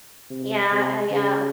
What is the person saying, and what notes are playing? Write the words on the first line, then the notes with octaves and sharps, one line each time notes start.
Yeah, I, uh
C3
C3
C#3